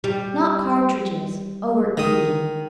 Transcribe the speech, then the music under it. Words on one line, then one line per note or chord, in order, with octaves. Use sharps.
Not cartridges; over-eating.
G3
D#3 D#6